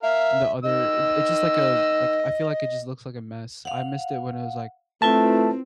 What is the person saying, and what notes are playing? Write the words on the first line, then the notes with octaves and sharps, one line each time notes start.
and the other it it's just, like, a like, I feel like it just looks like a mess. I missed it when it was, like,
A#4 E5 F5
D#3 D#5 E6
F5 F#5
A3 C4 E4 F4 B4 A5